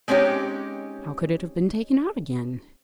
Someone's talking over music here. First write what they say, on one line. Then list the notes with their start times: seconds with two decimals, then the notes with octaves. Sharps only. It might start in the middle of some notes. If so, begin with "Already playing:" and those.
How could it have been taken out again?
0.08 G#3 C4 C#4 D#4 G4